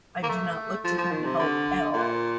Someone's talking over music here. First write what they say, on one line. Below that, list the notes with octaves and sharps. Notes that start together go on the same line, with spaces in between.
I do not look to him to help at all,
A#3
A3
F3
F3
D#3
C3
D3
A#2